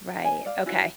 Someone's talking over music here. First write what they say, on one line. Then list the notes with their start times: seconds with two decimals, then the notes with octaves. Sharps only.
Right. Okay.
0.25 G#5
0.46 D5 F5
0.66 C#4 E4 F#4 E5